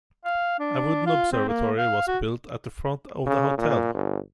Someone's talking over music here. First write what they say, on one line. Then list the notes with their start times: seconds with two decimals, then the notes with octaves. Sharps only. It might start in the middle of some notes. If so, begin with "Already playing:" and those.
A wooden observatory was built at the front of the hotel.
0.25 F5
0.59 D4
1.06 F4
1.32 C4
1.48 A#3
1.77 F5
2.07 F#4
3.26 C#3
3.58 A#2
3.94 G1